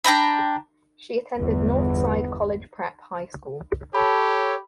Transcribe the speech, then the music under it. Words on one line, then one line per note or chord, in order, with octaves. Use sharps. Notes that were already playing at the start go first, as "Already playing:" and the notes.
She attended Northside College Prep high school.
D4 G5 A#5 B5
G1 E2 B3
G4 A4 C#5 B5